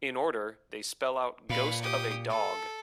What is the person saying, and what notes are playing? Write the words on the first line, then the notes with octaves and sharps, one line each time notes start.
In order, they spell out Ghost of a dog.
A#2 B4 F5
G4 D#6
A4